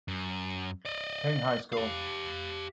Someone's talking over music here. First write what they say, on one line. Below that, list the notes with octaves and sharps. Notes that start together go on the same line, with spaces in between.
King High School.
F#2
D5 D#5
G4 F5